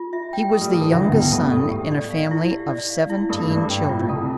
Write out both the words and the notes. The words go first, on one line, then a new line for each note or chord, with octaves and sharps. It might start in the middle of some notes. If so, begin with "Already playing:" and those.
He was the youngest son in a family of seventeen children.
Already playing: F4
E5
G5
A3 A4
G3
F3 A4
E3
D2 D3 E5
B1 B2 G5
G2 A4
A2 A4
G4
D5
F5
E4
G4
D5
F5
E4
G2 A4
D5
G2
G5
A2
F4
C2 C3 A4